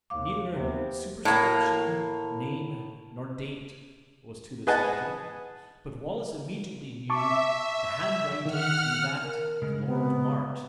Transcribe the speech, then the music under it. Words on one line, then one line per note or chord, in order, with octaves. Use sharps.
Neither superscription, name, nor date, was to this letter; but Wallace immediately knew the handwriting to be that of Lord March.
D#2 F5 D6
D#2 C3 B3
A2 A#3
G#4 B4 D#5 F#5 G#5 A5
E5 A5 C#6 D6
D#3 F#5 F6
A#4
C#3 G#3
B3